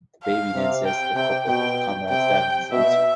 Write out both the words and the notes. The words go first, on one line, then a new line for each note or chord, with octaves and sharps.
The baby then says to the couple Comrade Stalin salutes you!
F5
C3
G5
C3 G5
B2 G5
C3 G5
B2 E5